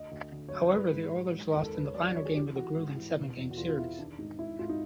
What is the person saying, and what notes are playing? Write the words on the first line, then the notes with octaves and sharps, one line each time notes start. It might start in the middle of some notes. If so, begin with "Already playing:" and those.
However, the Oilers lost in the Final game of a gruelling seven-game series.
Already playing: D2 D#5
D2
D3
F#3 C#5
C5
G#2 B4
G#2
F#3
G#2
D#2 A#4
A4
D#2 B4
C#5
F#3 D5
D5
F#3 C#5
G#4
E3 G4
E3 F#4
G#2
E3
B2
E2
F#4
E2 F4
F4
E2 E4
D#3 D4
G#2 D#4
G#2 E4
G#2 F4
D#4